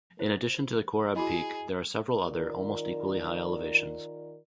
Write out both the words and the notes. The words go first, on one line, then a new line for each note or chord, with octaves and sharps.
In addition to the Korab peak, there are several other, almost equally high elevations.
E4 C5
E4 F#4 G#4 D#5 B5
D#3 F4 A#4 D5